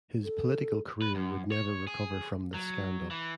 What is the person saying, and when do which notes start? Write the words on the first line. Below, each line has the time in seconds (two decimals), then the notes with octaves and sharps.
His political career would never recover from this scandal.
0.24 A4
1.02 B4
1.15 F#2
1.52 C#5
1.87 G#4
2.54 F#3
3.11 E3